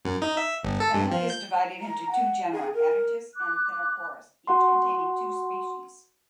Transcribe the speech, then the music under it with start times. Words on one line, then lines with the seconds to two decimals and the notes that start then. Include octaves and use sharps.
The family is divided into two genera, "Attagis" and "Thinocorus", each containing two species.
0.05 F#2
0.22 D#4
0.37 E5
0.64 G1
0.80 A4
0.94 G2
1.11 F3
1.30 G6
1.80 A#5
2.11 F#5
2.52 G#4
2.74 A#4
3.36 D6 F#6
4.47 F#4 F#5 C6